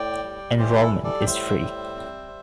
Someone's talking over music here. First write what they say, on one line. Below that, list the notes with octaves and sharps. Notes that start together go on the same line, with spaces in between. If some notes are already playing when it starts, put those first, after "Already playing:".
Enrollment is free.
Already playing: A2 D5 G5
G3
E3 G4 C5
E4 A4
G3
A4 D5
G5
A2 C5 E5
G3
C4